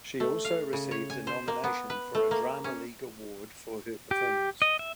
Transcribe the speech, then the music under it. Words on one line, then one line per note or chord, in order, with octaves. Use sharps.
She also received a nomination for a Drama League Award for her performance.
A3
F5
C#3
C#5
G#5
C5
A#3
B3
B4
A3
A#3
C#4
G4
D#5
E5